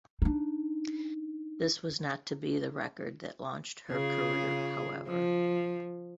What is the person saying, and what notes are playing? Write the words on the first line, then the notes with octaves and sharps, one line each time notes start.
This was not to be the record that launched her career, however.
D4 D#4
C#3 F4 G#4
F3